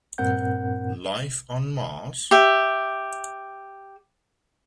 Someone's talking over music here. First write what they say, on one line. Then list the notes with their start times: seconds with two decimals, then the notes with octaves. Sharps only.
Life on Mars?
0.18 G2 A#2 C4 A#4 F#5 G6
2.31 G4 E5